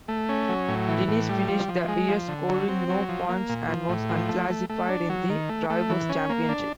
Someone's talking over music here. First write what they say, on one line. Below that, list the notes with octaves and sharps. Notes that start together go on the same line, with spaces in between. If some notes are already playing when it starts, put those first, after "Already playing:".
Diniz finished the year scoring no points and was unclassified in the Drivers' Championship.
A3
C#4
F#3
A2
E3
A2
G3
F3
F3
G#3
F3
D3
F#3
C4
F#3
F3
A#3
A#2
F3
A2
F3
A3
A3
A3
D4
F#3
D#3
A3
A3
E3
C#4
A#3
D4